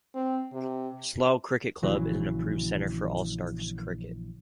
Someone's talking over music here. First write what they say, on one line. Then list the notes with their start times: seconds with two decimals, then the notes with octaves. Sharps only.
Slough Cricket club is an approved center for All Stars Cricket.
0.15 C4
0.53 C3
1.83 A#1 C#3 E3 F#3